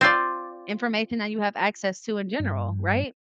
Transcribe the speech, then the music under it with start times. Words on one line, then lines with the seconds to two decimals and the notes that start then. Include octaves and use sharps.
information that you have access to in general, right?
0.01 C4 F4 D5
2.40 G2